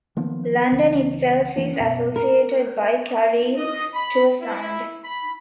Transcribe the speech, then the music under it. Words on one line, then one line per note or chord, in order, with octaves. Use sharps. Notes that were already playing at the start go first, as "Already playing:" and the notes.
London itself is associated by Karim to a sound.
D#3 F3 A#3 B3
C2 C#3 E3
F#1 E3 A#3 D4
F#2 B2 B3
A#4
D#5
B5
E4
B5